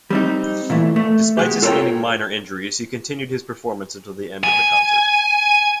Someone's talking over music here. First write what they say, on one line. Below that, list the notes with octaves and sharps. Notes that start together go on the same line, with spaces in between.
Despite sustaining minor injuries, he continued his performance until the end of the concert.
G3 C4 D#4
A#2 E3 A3
A3
B2 G#3 G4
F4 A4 A#4 C#5 D5 G5
G#5